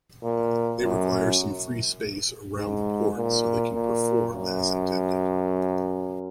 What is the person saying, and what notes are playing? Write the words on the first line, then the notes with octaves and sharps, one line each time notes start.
They require some free space around the port so they can perform as intended.
A#2
F#2
G#2
A#2
A#2
F#2